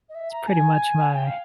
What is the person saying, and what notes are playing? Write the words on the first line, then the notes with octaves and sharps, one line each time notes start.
It's pretty much my
D#5
E5
A#5
G#5
G5
F5